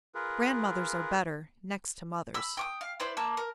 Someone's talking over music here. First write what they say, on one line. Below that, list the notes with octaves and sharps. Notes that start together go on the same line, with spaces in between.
Grandmothers are better, next to mothers.
F4 G#4 A#4 B4
B5 E6
G5 C#6 D#6
F5
E4 B4 C5 D5
A#3 A5 E6
A#4